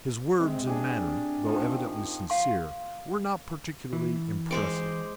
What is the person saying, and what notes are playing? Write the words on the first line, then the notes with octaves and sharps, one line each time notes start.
His words and manner, though evidently sincere, were not particularly impressive.
C3 G#3 C4
D4 G4 G#4
D#3 F3
F5 C6
E3
G#3 C5 D6